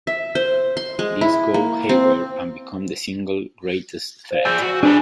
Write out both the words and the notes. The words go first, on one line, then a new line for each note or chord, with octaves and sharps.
These go haywire and become the single greatest threat.
E5
C5
C6
G#3
E4
A#3
C4
C5 D5 F5
G#4 D5 G#5 E6 G6 A6
F#4
D4 G#4 B4 G#5 A5 D6